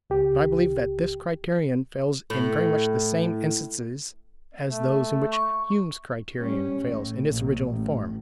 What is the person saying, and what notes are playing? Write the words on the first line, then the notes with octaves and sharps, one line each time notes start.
But I believe that this criterion fails in very much the same instances as those in which Hume's criterion fails in its original form.
C#2 G4
A2
A3
C#6
G3 C#4
A1 A2
A#1
A1